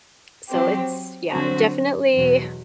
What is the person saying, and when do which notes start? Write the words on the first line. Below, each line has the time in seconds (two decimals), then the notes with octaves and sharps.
so it's yeah, definitely
0.48 F#3 C4 G4 C5
1.30 D3 F#3 C4 F#4 C5
2.13 E2 B2 F#3